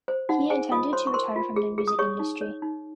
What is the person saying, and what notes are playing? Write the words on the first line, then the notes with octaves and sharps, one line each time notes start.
He intended to retire from the music industry.
C5
D#4 F#4 F#5
G#4 C5 G#5
F4 D#5 D#6
C5 C#5 C6
C#6
A#4 C5 C6
F4
G#4
G#4
D#6
G#4 C#5 C#6
D#4
C#5
D#4